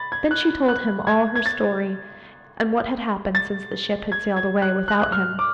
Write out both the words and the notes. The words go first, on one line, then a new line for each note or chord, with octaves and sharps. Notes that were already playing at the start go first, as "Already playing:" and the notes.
Then she told him all her story, and what had happened since the ship had sailed away without him.
Already playing: B5 A6
G#6
F#6
F#6
G#6
G#6
A6
A6
G#6
G#6
F#6
F#6
F#6
F6
D6